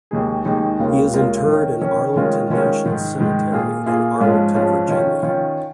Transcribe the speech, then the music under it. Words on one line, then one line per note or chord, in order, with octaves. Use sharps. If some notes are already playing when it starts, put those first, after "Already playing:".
He is interred in Arlington National Cemetery in Arlington, Virginia.
D#2 D#3 G#3 D#4 G#4
D#2 D#3 G#3 D#4 G#4
D#2 C#3 G#3 F4 A#4
D#2 C#3 G#3 F4 A#4
D#3 C#4 A#4
D#3 C#4 A#4
D#3 G#3 C#4 F4 A#4
D#3 G#3 C#4 F4 A#4
G#2 D#3 G#3
G#2 D#3 G#3
A#2 A#3 F4 G#4
A#2 A#3 F4 G#4
G#2 F3 G#3 C#4 F4
G#2 F3 G#3 C#4 F4
D#3 C#4 F4
D#3 C#4 F4